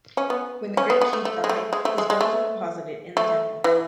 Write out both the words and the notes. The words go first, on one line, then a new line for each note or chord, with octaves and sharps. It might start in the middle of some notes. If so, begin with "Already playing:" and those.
When the great chief died, his bones were deposited in the temple.
C#4
B3
C#4
B3
B3
A3
A3
G#3
A3
G#3
A3
G#3
G#3
A3
A3
E3